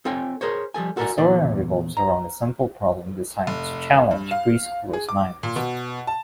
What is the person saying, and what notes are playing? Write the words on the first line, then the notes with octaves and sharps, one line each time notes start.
The storyline revolves around simple problems designed to challenge pre schoolers' minds.
C4 F4 A4 C#5 G5 G#5
G#4 A#4 C5 C#5
F3 G3 A4 G#5
F#4 A4 A#4 C5 D5 G#5
E2 A#2 A3 D5
A#5
F1
G2
F5
G#4
D6
A#2
B2
A5